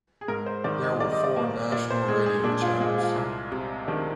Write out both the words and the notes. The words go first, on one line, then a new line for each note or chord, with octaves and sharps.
There were four national radio channels.
G#4
G#2 A#4
C5
D#3 D5
D#5
G3 D5
D#5
D5
A#3
A#2 D5
C5
G#3 G#4
G#4
A#2 D4
F4
G#3 F4
F4
C2
C3
D#3 D4